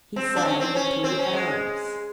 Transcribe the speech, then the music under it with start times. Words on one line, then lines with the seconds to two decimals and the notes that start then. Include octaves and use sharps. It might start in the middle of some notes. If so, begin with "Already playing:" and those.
He summoned the two Arabs.
0.16 C4
0.36 D4
0.45 C#4
0.60 C4
0.75 C#4
1.04 C4
1.19 C#4
1.33 G#3